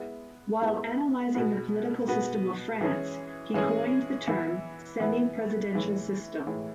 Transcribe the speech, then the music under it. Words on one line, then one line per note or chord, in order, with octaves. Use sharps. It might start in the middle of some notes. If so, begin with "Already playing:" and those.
While analysing the political system of France, he coined the term semi-presidential system.
Already playing: G#3 B3 E4
G#3 B3 E4
B2 G#3 B3 F#4
B2 G#3 B3 F#4
E3 G#3 C#4 G#4
E3 G#3 C#4 G#4
E3 B3 E4
E3 B3 E4
A2 E3 G#3
A2 E3 G#3